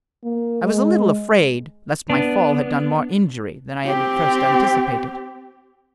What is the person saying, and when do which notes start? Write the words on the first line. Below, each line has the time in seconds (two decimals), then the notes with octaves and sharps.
I was a little afraid lest my fall had done more injury than I had at first anticipated.
0.24 A#3
0.62 G#3
2.10 B3 D4
3.86 C4 G4